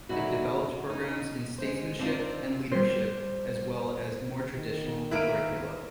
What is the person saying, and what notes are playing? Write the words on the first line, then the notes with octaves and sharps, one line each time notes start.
It developed programs in statesmanship and leadership, as well as more traditional curricula.
D3 D#3 F#3 E4 F#4
D#4
G#3 C5
C4 D4 D#4 F4
G3 C5
D#3
A#3 E4 A#4 B4 D7